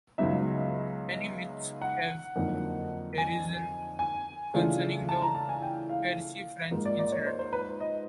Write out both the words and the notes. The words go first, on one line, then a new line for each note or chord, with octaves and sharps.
Many myths have arisen concerning the Percy French incident.
C#2 C#3 F#3 B3 D#4 E5
F#5
F2 D3 F#3 A#3 D#4
G#5
G#5
C#3 E3 A3 D4 F4
A5
A#5
A5
G#5
G5
F5
G#2 F3 A#3 D#4
D5
D5
C#5
C5
C5
B4
D#5